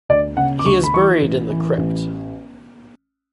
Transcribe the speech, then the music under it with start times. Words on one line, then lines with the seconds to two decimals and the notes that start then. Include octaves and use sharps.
He is buried in the crypt.
0.09 D2 D5
0.37 C#3 F#5
0.59 D6
0.66 D2 C#6
0.84 B5
0.94 E3 C#6
1.22 A1
1.50 E3
1.78 A1